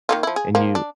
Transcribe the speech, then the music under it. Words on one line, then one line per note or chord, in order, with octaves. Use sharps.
and you
D#3 A#3 F4
F3 E4
G#4
D#3 F3 A#3
D4